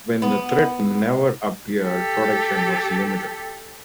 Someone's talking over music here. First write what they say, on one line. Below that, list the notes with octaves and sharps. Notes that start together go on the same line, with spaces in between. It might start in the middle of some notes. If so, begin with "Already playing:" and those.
When the threat never appeared production was limited.
B3
G4 A4